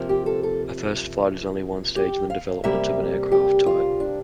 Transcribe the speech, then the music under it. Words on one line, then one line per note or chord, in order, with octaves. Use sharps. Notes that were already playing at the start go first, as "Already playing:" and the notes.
A first flight is only one stage in the development of an aircraft type.
Already playing: C3 F3 A#3
G4
A4
A4
G4
F5
C3 G3 A#3 E5
G4
F4
D4